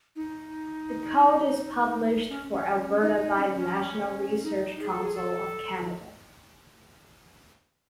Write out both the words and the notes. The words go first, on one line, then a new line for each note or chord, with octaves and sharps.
The Code is published for Alberta by the National Research Council of Canada.
D#4
C#4
C#4
C#4
D#4
C#4
C#4
D#4
G#4
A4
G#4
A4